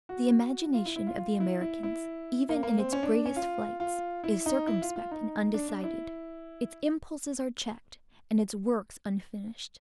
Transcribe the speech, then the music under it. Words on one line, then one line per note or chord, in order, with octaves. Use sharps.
The imagination of the Americans, even in its greatest flights, is circumspect and undecided; its impulses are checked, and its works unfinished.
F#4
F4
E4
E4
F4
F4
E4
E4
E4
A#3
A#3
C4
C#4
D4
D4
C#4
F4
F4
E4
D#4
E4
F4
F4
D#4
D4
D4
E4